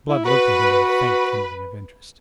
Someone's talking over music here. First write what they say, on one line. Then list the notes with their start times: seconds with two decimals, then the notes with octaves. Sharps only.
Blood looked at him with a faint kindling of interest.
0.09 E4
0.25 F#4 B4
0.88 B4